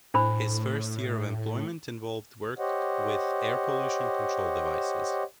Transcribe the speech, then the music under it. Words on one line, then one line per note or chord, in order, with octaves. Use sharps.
His first year of employment involved work with air pollution control devices.
A2 D4 C5 B5
G4 C5 C#5 D#5 F#5